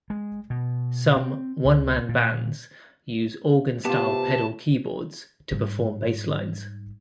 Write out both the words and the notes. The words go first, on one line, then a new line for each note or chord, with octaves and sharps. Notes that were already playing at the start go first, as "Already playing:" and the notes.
Some "one-man bands" use organ-style pedal keyboards to perform basslines.
G#3
B2
C4
C#2
A#2
C3 B3 F4 G4 A5
G#2 G3